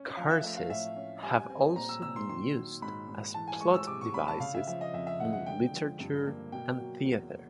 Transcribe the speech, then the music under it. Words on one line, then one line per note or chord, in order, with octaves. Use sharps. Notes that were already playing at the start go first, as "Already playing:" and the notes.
Curses have also been used as plot devices in literature and theater.
Already playing: C#4
F3 F5
E5
A3 E5
F5
A2 E5
C#4
G3 G#5
C4
A#2 A#5
E6
A#2 E6
C6
D#3 C6
F#3
G#2 B5
G#2
E3 A5
G#5
G#3 C#6
E6
C3 D6
C#6
C#4 B5
A5
C#3 F5
E5
F3 E5
D#5
F2 E5
E5
G#3 F#5
F#5
D3 G5
F3
G2
A#3
B2 G5
F#3
E2